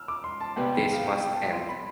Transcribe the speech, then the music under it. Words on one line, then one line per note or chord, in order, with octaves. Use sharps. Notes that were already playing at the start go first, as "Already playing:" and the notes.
This must end.
Already playing: E6 F6
D6
C6
A5
C2 B2 G3 B3 G5
F5
G5
G5
A5
C6
B5